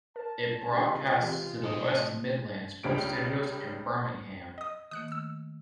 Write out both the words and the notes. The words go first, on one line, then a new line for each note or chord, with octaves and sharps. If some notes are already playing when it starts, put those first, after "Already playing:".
It broadcasts to the West Midlands from studios in Birmingham.
A#4 A5
C#2 C3 G#3 D4 D#4 F4 G4 B4
E3 C4 G4
A2 C3 F3 A4 D#5
C#2 C#3 G3 D7
D#5 D#6
D#3 A3 A#3 D#6 F#6 C#7
E6